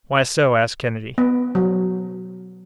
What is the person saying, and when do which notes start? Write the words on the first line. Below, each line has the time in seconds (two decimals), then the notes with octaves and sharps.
"Why so?" asked Kennedy.
1.18 B3
1.55 F#3